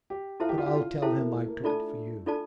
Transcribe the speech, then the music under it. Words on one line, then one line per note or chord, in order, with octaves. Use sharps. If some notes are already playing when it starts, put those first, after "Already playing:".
But I'll tell him I took it for you.'
G4
E4 F4 A4 C5 E5 A5
G4
F4
G4
F4
E4 G4 A4 C5 E5 A5
A#3
A3
A#3
A3 D4 F4 A4 D5 A5
D4 F4 A4 D5 A5